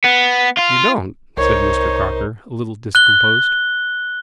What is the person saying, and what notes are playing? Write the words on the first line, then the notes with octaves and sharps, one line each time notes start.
"You don't?" said Mr. Crocker a little discomposed.
B3
F4
C2 D#4 A#4 C5 C#5
F#6 G7